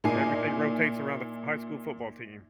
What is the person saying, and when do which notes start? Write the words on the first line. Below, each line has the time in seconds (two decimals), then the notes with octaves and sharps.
everything rotates around the f high school football team.
0.04 A#2 D#4 E4 G#5 C7